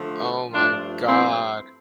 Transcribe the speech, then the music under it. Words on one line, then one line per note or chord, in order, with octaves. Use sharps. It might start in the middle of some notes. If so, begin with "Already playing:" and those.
Oh my god.
Already playing: D3 F3 A3
G2 F3 A3 D4 F4
C4 E4